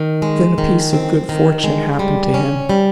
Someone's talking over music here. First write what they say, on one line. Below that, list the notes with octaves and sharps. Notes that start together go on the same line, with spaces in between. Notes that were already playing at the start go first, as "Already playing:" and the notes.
Then a piece of good fortune happened to him.
Already playing: D#3
G#3
D#3
C4
D#3
G#3
G3
C#4
G3